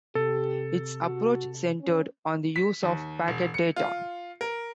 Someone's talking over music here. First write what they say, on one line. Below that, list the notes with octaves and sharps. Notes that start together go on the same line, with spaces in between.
Its approach centred on the use of packet data.
C3 G4 A4
F#4
C#4
B6
D#2
E1
C#7
F4
A#4